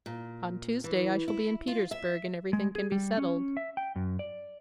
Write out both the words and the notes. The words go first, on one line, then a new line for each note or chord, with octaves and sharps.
"On Tuesday I shall be in Petersburg, and everything can be settled."
A#2
E3
E4
F4
E5
G#3
G#4
G3
C#4
E5
G5
F#2
D5